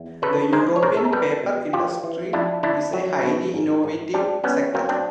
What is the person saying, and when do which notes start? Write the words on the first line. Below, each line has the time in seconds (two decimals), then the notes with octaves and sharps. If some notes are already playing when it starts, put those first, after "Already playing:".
The European paper industry is a highly innovative sector.
Already playing: E2
0.22 C#3 A4 B4
0.53 G#3 A#4 C5
0.76 C#5
0.82 C3 A#4 C5
0.97 A4
1.05 A#4
1.12 G3 A4 B4
1.43 B2
1.73 A2 F4 G4
2.04 E3
2.33 F2 D4 E4
2.63 D3 D4 E4
2.93 F#3
3.23 B2
3.54 G#2
3.84 G#2
4.14 G3 C4 D4
4.44 G3 B3 C#4
4.74 F#3 A#3 C4
4.89 C4 D4